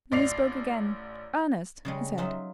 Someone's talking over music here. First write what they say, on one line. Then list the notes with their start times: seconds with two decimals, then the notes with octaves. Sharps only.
Then he spoke again: 'Ernest,' he said.
0.12 A1 D5 C7 F7
1.85 C#3 G3 G#3
2.18 F#3 D#4 F4 E5